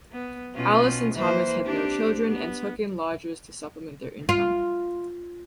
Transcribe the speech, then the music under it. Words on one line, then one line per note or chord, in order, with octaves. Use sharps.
Alice and Thomas had no children and took in lodgers to supplement their income.
B3
B2 C#4 F4
E3 A#3 C5
C4 D4 G4
B3
F4